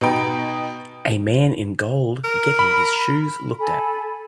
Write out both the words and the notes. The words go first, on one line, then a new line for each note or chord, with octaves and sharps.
A man in gold getting his shoes looked at.
B2 B3 D#4 G5 B5
A#4
B5
A4 G#5 B5